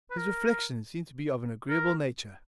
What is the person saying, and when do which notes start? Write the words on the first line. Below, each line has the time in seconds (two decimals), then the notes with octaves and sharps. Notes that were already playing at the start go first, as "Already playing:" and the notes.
His reflections seemed to be of an agreeable nature.
0.11 B4
0.18 A#4
1.70 A#4